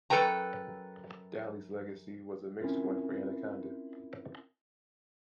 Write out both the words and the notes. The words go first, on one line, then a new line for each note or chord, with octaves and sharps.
Daly's legacy was a mixed one for Anaconda.
F#2 A#3 A4 B4 G5 A#5
C4 C#4 E4 F4 A#4